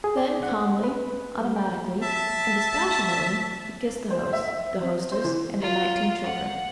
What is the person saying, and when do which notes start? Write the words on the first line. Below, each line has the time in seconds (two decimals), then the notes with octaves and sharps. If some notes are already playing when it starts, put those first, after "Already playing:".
Then calmly, automatically, and dispassionately he kissed the host, the hostess, and their nineteen children.
0.04 G#4
0.17 D5
0.43 F#5
0.84 B4
1.40 G3
1.56 G5
2.03 E5 A5
4.10 C5
4.33 E5
4.48 E5
4.81 C4
5.12 C5
5.24 E3
5.61 F4
6.26 F#5